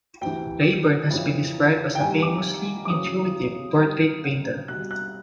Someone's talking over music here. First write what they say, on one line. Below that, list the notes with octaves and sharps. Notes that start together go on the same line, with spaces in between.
Raeburn has been described as a "famously intuitive" portrait painter.
D2 C3 E3 G5
F2 C#3 E3
G5
C2 C3 D#3 G#5
D6
D6
F#2 C#3 E3 D#6
G2 D#3 F6
C2 B2 F#6
F#6